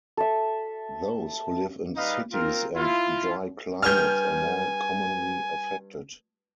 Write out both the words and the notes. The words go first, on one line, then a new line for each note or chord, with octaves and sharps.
Those who live in cities and dry climates are more commonly affected.
A4 E5
G3 D#4 B4 D#5 F5
C4 F4 A#4
E4 F4
G2 C#5 G#5 A5 F6 G6